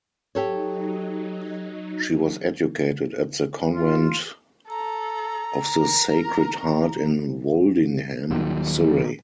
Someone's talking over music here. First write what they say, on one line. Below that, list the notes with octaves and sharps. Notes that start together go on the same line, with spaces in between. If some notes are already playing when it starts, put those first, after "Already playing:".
She was educated at the Convent of the Sacred Heart in Woldingham, Surrey.
F#3 D#4 G4 A4 C#5
F4
A4 A#5
A#4
D#1 A#2 D#3 F#3